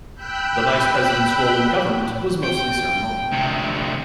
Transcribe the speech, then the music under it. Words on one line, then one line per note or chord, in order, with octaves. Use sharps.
The Vice-President's role in government was mostly ceremonial.
G5 B5 E6 F#6 G6
G5
D2 C3